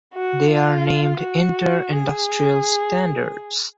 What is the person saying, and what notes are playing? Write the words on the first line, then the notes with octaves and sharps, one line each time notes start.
They are named inter-industrial standards.
F#4
F4
F#4
G#4